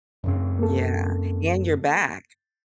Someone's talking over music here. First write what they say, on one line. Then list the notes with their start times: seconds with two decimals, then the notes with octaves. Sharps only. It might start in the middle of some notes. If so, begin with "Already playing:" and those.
Yeah, and your back.
0.24 F#2 C#3 C4
0.59 A#3 A4